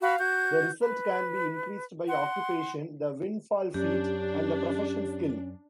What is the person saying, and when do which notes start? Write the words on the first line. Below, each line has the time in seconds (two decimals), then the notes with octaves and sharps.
The result can be increased by occupation, the Windfall feat, and the Profession skill.
0.01 F#4 F5 B5
0.19 F#4 G6
0.79 B4
2.07 F#5 C6
3.74 F#2 C#4 D4 G4